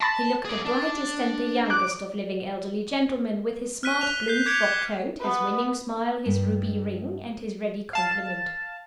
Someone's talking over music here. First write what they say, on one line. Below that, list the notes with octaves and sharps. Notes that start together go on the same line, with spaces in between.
He looked the brightest and the youngest of living elderly gentlemen, with his smart blue frock-coat, his winning smile, his ruby ring, and his ready compliment.
A5 B5 A6 A#6
G#4 D5
D4
D6 F#6
F6 F#6 B6 D#7
F#6 F7 G7
G6 C7
D6 G#6 B6 C#7 D7 F7
G7
B3 B4
G2
F5 A5